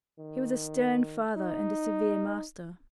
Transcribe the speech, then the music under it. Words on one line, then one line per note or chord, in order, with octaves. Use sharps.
He was a stern father and a severe master.
D#3
D#4